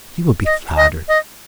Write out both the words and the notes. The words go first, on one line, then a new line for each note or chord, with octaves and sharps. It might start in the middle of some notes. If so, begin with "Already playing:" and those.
He will be flattered.
D#5
D#5
D#5